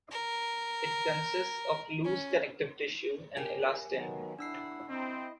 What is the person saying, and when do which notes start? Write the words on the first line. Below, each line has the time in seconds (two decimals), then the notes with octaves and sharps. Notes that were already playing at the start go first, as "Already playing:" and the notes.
It consists of loose connective tissue and elastin.
0.11 A#4
2.04 C#4
3.37 G4 A#4 G#5
3.90 D#3 F#3 B3
4.39 D4 E4 F#5 E6 C7
4.88 C4 E4 D#5